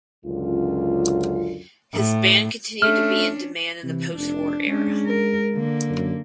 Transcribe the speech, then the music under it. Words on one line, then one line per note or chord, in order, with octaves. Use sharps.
His band continued to be in demand in the postwar era.
C#2 F#2 D3 F4
A2
A3 C#4 D4 F6
C3 E3
F1 D4
G#3 C#4 D4
A#4
D3 A#3
F#2